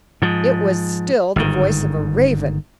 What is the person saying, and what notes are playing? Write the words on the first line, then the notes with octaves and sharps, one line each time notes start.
It was still the voice of a raven!
G#2 F3
G1 G#2 D#3